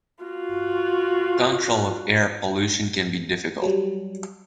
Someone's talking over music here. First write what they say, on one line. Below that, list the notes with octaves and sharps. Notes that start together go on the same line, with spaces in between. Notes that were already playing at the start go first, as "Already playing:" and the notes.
Control of air pollution can be difficult.
F4 F#4
F#3 G3